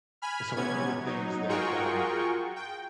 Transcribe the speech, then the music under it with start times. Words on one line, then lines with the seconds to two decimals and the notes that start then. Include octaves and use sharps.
So, one of the things that, um,
0.22 G#5 B5 F6
0.56 C3 B3 C#4 G#6
1.03 F#3 D#4
1.48 F4 F#4 G#4 A#4 G5 C#6
2.56 G5